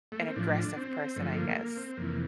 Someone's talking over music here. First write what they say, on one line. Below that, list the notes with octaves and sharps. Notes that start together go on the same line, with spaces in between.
an aggressive person, I guess.
A3
A#3
C4
A2 F3 D4
C4
G2 D3 F3 A3
A#3
A3
A#3
C4
F2 C3 E3 A#3